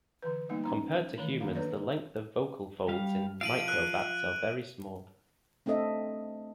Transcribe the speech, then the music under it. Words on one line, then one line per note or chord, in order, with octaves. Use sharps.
Compared to humans, the length of vocal folds in microbats are very small.
D3 E3 B4
G3 G#3 A#3 B3 D#4
C#4 D#4 A#5
D#3 E3 A3 C#5
D#3 A#3 D4 F#4 F5
D4 A4 B4 C#5 D5
G3 F5
F3 F4 F5 D7 D#7 F#7
F#6 D#7
A3 C4 D4 A4 D#5 E5